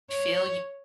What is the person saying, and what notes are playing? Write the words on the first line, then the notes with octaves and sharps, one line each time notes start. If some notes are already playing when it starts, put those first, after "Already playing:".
feel you
C#5